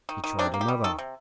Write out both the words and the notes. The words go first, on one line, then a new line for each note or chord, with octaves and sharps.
He tried another.
D#3
D#3
C3 D4
A#3
G4
G3
D#3 A4
C3